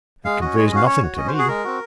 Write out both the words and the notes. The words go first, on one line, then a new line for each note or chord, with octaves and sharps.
"It conveys nothing to me!"
G#3 F5
C#4 F#4 D#5
G#3 C#5
D#5
C#4 F#4 F5
C#4 C#5
F#4
C#4 D#5
C5
F#4
G#4
G#3 A#4
C4 F#4